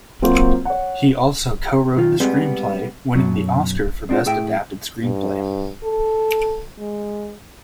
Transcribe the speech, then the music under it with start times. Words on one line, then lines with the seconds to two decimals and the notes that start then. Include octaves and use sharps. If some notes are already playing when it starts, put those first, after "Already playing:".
He also co-wrote the screenplay, winning the Oscar for Best Adapted Screenplay.
0.22 F#3 A#3 C4 F4 F#4
0.65 C#5 F#5
1.97 B1 D#3 F4
2.20 G3 G#3 B3 C4 G#4
3.15 F#2 B2 F#3
4.09 G#3 C4 D4 F4 F#4
4.26 A2 G#4 E5 G5
5.03 G2
5.84 A4
6.79 G#3